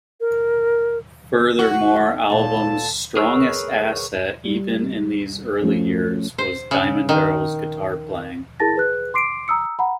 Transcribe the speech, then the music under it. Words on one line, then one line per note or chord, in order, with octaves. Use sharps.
Furthermore, album's "strongest asset" even in these early years was Diamond Darrell's guitar playing.
A#4
F#4
A#2 B3 A4 A5
G#4 A#4 B4 C#5 E6
G3
F3 A3 C#4
C5
C#3
D#3
E4 G#4 A#4 A5 A6 A#6
G#4 B4 F#6
C6 D6 C7 D7
A#5 D#6 E6 C#7
F#5 A#5 B5